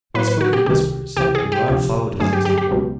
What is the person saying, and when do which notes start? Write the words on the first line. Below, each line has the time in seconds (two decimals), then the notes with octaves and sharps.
He spoke in whispers, and Rod followed his example.
0.14 A2 F#3 A#3 B4
0.28 B4
0.41 F#4
0.53 G4
0.66 C2 C3 D#3 G4
1.17 C#2 C3 E3 G4
1.35 G#4
1.52 G4
1.68 D2 C3 F3 G4
2.20 G2 D3 F#3 A3 G#4
2.33 G4
2.45 G4
2.58 G4
2.71 C#2 B2 F#3